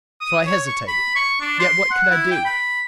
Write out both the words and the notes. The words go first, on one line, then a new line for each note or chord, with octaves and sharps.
So I hesitated, yet what could I do?
D#6
C#5
C#6
B5
C#6
D4
C6
F#5
E4
G5
B5